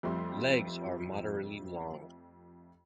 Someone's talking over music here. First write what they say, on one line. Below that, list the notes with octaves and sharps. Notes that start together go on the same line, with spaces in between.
Legs are moderately long.
F2 F3 G3 A3 C6